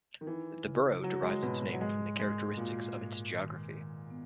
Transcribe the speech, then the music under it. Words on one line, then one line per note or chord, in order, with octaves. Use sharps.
The borough derives its name from the characteristics of its geography.
D#3
E3 D#4
C#3
F#3 F#4
G#3
G#2 B2
F#3
G#2 G#3
G#2 G#3
A#2 F#4
G#2
D#3
D#3
B3